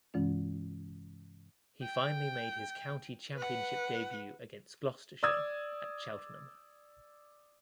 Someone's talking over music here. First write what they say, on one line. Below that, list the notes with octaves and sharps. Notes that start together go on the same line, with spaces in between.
He finally made his County Championship debut against Gloucestershire at Cheltenham.
G2 C3 E3 G#3 C#4 F4
G5
B4 F#5
D5 D#6 E6 G#6